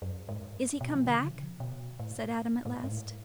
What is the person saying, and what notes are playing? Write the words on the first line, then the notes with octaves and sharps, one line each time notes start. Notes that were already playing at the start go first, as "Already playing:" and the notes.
"Is he come back?" said Adam at last.
F#2
G#2
B2
F3
D3
C#3
B2
A2
A2
G#2
A2